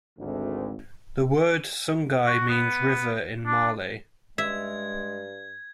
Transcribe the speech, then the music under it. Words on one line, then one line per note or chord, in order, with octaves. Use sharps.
The word Sungai means river in Malay.
G#1 D2
F#4
B3
D4
G2 G#3 E5 G#6